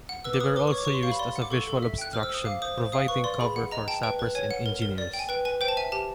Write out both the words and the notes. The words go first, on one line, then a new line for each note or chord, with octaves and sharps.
They were also used as a visual obstruction, providing cover for sappers and engineers.
F#5
B4 E6
D6
B4 D#6
A#4 D6
C#6
C#5
D6
G4 C#6
C6
F5 C#6
B5
D5 C6
F#5
D6
A4 C#6
A4
E5
G5 F#6
C5 F6
E6
C5 D#6
F5 D6
C5 D#6
C5
F5 D#6
B4 C#6
D5 C6
G#4 B5
F#5
D#5 A#5
G5 A5
B4 G5
B4
C#5 G#5
F#5
A#4
A#4
D5
G5
G#5
B4 G5
B4 G#5
C5 G5
A5
E5 G#5
G4 A5